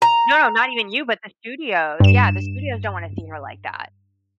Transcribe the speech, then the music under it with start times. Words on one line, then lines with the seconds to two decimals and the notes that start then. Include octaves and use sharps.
No no, not even you, but the studios yeah, the studios don't wanna see her like that.
0.02 A#5
2.00 G2 E7